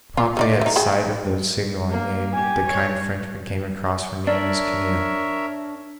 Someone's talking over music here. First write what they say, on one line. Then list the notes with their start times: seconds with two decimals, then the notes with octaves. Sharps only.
Promptly at sight of the signal I made, the kind Frenchman came across for me in his canoe.
0.17 F4
0.37 A3 D#4 D5
0.61 A3 D#4
0.76 G#4 G5 B5
1.90 A#3
2.34 G4 G#5
2.67 C#5
4.27 D4 A#4 C#5 D5 E5